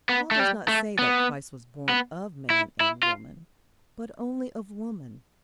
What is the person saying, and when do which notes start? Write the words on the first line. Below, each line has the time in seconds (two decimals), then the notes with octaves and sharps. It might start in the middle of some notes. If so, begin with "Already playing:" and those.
Paul does not say that Christ was born of man and woman, but only of woman.
0.09 B3
0.31 A3
0.40 G3
0.69 A3
0.99 B3
1.89 B3
2.50 E4
2.81 E4
3.03 F4